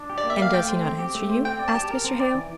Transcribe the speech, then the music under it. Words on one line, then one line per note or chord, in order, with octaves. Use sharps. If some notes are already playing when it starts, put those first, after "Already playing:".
'And does he not answer you?' asked Mr. Hale.
Already playing: D4
G4
D5
A#3
E5
D5 F5
A3 G5
C5
C4
G4
A3
C5
C4 G5
D5
A5
G4
A#4
C4
D5
E3